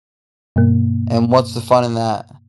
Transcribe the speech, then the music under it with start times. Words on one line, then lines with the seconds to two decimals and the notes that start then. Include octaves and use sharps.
And what's the fun in that?
0.56 G2 B2 A#3